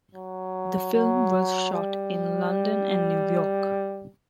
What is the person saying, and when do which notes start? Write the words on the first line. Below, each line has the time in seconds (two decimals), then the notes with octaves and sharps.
The film was shot in London and New York.
0.15 F#3
0.94 F#3
1.72 G3